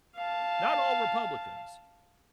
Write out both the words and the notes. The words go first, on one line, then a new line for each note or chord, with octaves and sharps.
not all Republicans,
F5 A5